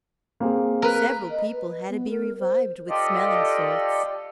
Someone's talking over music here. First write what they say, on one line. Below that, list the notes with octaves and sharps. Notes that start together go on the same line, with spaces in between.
Several people had to be revived with smelling salts.
A#3 C4 G#4
A#4 B4
D#5
B4
B3
A#4
C5
F4 G4 A4 D5 D#5